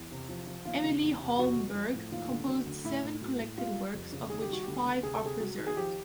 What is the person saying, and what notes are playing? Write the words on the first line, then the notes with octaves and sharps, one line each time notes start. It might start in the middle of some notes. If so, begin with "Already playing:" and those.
Emilie Holmberg composed seven collected works of which five are preserved.
Already playing: E2
C3
F3
F3
D#2 F4
C#3
E2
C3
F2 F#4
F2
F3
A2
D#2 F4
D3
F#3
D2
A2 E4
A2
F#3
A2
G3 F4
G3
F2
C#3
D#3 G#4
G4
G3 F#4
D2 G4
D2
C3 G#4
A4
C3 G#4
F#3
D#3
G#4
F3 G4